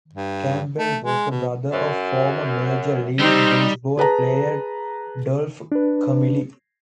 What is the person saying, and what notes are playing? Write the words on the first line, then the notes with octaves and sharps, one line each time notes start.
Campbell was the brother of former Major League Baseball player Dolph Camilli.
G2
A3
G#3
B2
F#2
G3 C4 D#4 G4
G#4 B4 A5 A#5
D4 B4